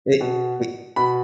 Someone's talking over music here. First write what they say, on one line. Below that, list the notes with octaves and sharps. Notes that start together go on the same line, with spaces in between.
It it
B2
B2 B5